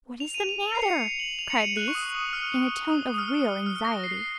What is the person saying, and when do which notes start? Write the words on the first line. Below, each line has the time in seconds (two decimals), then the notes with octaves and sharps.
"What is the matter?" cried Lise, in a tone of real anxiety.
0.20 F7
0.34 D#7
0.49 F7
0.63 F7
0.75 C7
0.82 C#7
1.01 F7
1.20 F#7
1.39 F7
1.50 C#7
1.58 D#7
1.77 F#6
1.88 C#6
1.95 D#6
2.15 D#6
2.33 F6
2.90 D#6
3.14 D#6
3.18 F6
3.33 D#6
3.66 F6
3.85 A#6
4.04 C7